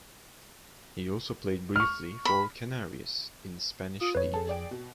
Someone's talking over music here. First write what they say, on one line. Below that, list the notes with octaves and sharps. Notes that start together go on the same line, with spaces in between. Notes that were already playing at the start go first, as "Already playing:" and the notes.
He also played briefly for Canarias in the Spanish league.
C#6 F6
B5
F4 D#6
F2 B4 C#5
G#4 A4 A5
G#4 D5 G5
B2